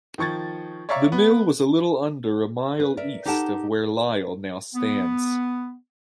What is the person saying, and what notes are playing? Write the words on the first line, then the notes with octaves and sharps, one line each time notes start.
The mill was a little under a mile east of where Lyle now stands.
D#3 F3 C#6 G#6 A6
C#5 D5 E5 F5 A#5 C#6
B3
B4
A#4 D5 E5
D#4 G4 A4 A#4 F#5 A5
B3